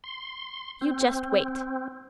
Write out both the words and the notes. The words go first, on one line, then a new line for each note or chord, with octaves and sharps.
"You just wait!"
C6
C4